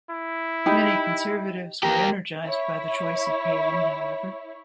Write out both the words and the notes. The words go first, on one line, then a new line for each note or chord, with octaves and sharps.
Many conservatives were energized by the choice of Palin, however.
E4
D#4 G4 B5
A#3 G4 A#5
E4 C#5